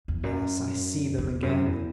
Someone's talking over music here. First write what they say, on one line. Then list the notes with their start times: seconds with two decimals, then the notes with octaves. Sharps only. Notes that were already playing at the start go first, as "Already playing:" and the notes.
Yes; I see them again.
0.08 E2
0.23 F#2
1.18 E2
1.42 F#2
1.66 E2